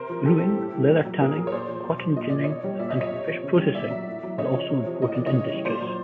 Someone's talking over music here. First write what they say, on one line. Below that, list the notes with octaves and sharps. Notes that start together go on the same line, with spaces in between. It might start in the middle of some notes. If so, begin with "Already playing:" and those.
Brewing, leather tanning, cotton ginning, and fish processing are also important industries.
Already playing: C3 A#4 C5
F3
C3 G4 A4
E3 G3
A2
E3 G3
A#2
F#3
A#2 G#4 A#4
F#3
C#5
A#2 C5 D5
F3
B2
F#3
A#2 D#5
F3 D5
B2 C#5 D#5
G3
A#2 D5 E5
C#5 D#5
F#3
C#5 D#5
C3
F3
C#3
E3 G3
A#2 D5 E5
F#3
A2
F#3
C#3 C#5 D#5
F3
C3
F3
A2 D#5
F3 D5
C#5 D#5
C#3
E3 G3
A#2 C5 D5
F#3